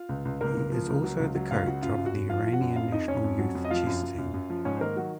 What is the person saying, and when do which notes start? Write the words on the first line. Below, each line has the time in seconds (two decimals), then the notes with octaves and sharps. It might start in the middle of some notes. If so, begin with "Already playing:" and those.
He is also the coach of the Iranian national youth chess team.
Already playing: F4 F5
0.09 C#2
0.25 C#2
0.41 C#2 A#3 A#4
0.57 C#2
0.72 F3
0.88 C#2
1.04 F#3
1.20 C#2
1.35 F#3
1.51 C#2 F4 F5
1.67 C#3 F#4 F#5
1.82 F#2 F4 F5
1.95 F#2 F5
2.06 F#4 F#5
2.14 F#2
2.29 F3 F4 F5
2.45 F3
2.53 F#4 F#5
2.61 F#2
2.76 F2 F4 F5
2.92 F2 D#4 D#5
3.08 F2 C#4 C#5
3.24 F2
3.39 F#3
3.55 F2
3.65 D#5
3.70 F3 F4 F5
3.87 F#2
4.03 F#2
4.18 F#2
4.34 F#2
4.50 F3
4.65 G#2 C#4 C#5
4.77 C5
4.81 D#3 A#3 A#4
4.96 F#3 F#4